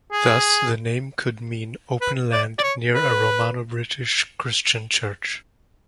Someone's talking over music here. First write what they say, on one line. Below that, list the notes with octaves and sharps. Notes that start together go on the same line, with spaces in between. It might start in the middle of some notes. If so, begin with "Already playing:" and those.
Thus the name could mean 'Open land near a Romano-British Christian church'.
G#4
B4
D5
D5
C#5
B4